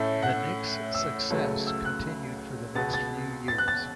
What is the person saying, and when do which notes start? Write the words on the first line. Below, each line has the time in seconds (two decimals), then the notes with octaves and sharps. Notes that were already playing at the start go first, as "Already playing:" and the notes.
The Knicks' success continued for the next few years.
Already playing: A2 A3 C#4 E5
0.22 F#5
0.95 E6
1.30 C#2 C#3 F#3 A3 C#4
1.67 E6
1.85 F#6
2.75 C#2 B2 B3 A6
2.94 A6
3.48 A6
3.58 F#6
3.68 A6